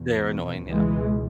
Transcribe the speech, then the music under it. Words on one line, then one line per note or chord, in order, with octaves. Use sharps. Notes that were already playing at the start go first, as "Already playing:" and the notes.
They're annoying, yeah.
Already playing: E2 B2
C#2 B2 E3 G#3